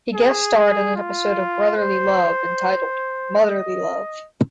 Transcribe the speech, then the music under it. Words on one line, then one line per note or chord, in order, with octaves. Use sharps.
He guest starred on an episode of "Brotherly Love" entitled "Motherly Love".
G#4
F4
C5
D#5